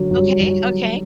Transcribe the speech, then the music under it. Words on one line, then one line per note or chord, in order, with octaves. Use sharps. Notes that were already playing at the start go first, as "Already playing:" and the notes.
Okay, okay.
Already playing: D3 F#3
F#3
G3
F#3